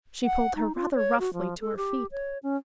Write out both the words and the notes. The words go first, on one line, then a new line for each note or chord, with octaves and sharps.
She pulled her rather roughly to her feet.
F#5
D#4
F4
C#5
F#4
F3
A4
G4
C#5
C#4